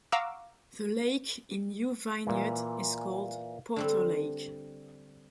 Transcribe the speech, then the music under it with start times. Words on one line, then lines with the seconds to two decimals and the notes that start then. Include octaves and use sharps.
The Lake in New Vineyard is called Porter Lake.
0.12 F5 F#5 A#5 C#6 D6 E6
2.27 A#2 E3
3.76 D3 G3 C4